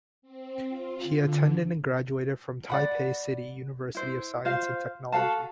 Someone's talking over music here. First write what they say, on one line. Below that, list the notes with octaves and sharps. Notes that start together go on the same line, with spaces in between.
He attended and graduated from Taipei City University of Science and Technology.
C4
F4
D3
D5 F#5 B5
E4 C5
F4 C5 F5
F#4 A4 F5 A5